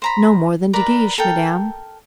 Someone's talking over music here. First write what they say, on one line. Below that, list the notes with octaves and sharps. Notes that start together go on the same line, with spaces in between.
"No more than De Guiche, Madame."
C5 A#5 B5
A#4 B4 D5 A#5
A4 A#4 G5